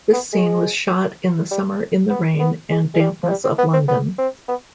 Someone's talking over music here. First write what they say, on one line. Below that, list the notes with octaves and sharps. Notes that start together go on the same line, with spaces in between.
This scene was shot in the summer in the rain and dampness of London.
B3
G#3
G3
B3
B3
G#3
G#3
G3
F3
G3
C4
B3
C4
B3
C4
B3